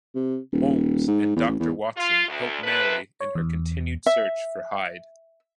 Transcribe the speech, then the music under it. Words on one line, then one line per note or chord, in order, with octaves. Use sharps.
Holmes and Doctor Watson help Mary in her continued search for Hyde.
C3
D#1
G#2
E2
A1
E2
F4
D2
D#2 C3 A3 E4 B4
C#5
E2
E5